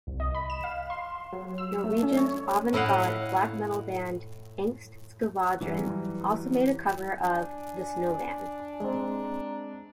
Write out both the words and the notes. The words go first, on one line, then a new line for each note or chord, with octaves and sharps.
Norwegian avant-garde black metal band, Angst Skvadron, also made a cover of "The Snowman".
C2
D#5
B5
E7
F5
C6
F#3
E6
A3
C#4
C#5
A2 E4 D#5 F5 F#5
E3 F#3 G3
D4 G#5
G#3 C4 A#5